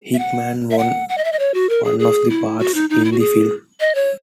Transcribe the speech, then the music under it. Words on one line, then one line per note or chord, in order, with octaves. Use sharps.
Hickman won one of the parts in the film.
E5
F#5
E5
F#5
F#5
D#5
E5
D#5
C#5
F#4
A#4
G#4
G#4
E4
F#4
D#4
D#4
E4
F#4
G#4
D#5
C#5